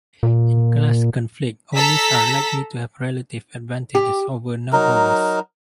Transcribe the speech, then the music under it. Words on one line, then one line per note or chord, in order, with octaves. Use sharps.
In class conflict, owners are likely to have relative advantages over non-owners.
A#2
A4 A#5 E6 B6
G4
F#3 D#4 A#4